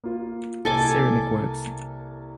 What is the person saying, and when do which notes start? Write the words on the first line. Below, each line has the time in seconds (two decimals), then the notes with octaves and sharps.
Ceramic works.
0.04 A#3 F4
0.65 C2 A#3 A4 G#5 D6